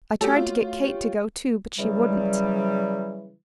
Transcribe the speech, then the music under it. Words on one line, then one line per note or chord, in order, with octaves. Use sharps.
I tried to get Kate to go, too; but she wouldn't.
A3 F#4 G4 A4 C#5
F4
G4 C#5
C#3 E3 F#3 G3